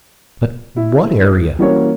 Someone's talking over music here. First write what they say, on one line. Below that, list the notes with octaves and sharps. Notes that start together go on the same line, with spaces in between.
But what area?
E4
E3 G3 A#3 C#4 F#4 C#5